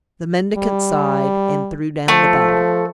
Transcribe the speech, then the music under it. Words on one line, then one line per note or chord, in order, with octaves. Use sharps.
The mendicant sighed and threw down the bag.
G3
F3 A3